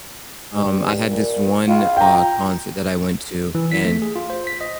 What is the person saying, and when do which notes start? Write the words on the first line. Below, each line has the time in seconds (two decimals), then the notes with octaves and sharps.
Um, I had this one, uh, concert that I went to and,
0.54 G2
1.09 A#2
1.68 F4
1.97 G5 A#5
3.55 E3
3.72 B6
3.85 A3
4.02 G#4
4.16 F4
4.30 C5
4.47 B6
4.61 D#5